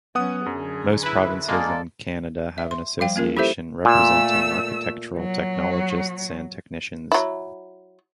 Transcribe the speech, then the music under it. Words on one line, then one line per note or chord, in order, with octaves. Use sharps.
Most provinces in Canada have an association representing architectural technologists and technicians.
F#3 B3 C#4 F#5 D#6
F#2 D3 G#4
E4 B4
G#3 A#3 A4 D5
E5
C6
F3 G3 F5 G5
A#3 C#4 F4 A#4
E4 G4 A4 C5 E5
A#2 A3 E6
F#3
F#3 E4